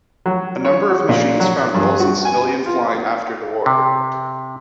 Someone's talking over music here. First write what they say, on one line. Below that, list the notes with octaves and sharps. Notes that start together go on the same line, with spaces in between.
A number of machines found roles in civilian flying after the war.
F#3
C#5
F#4
A#2
F#3
F#6
G2
F#4
G#5
F4
C3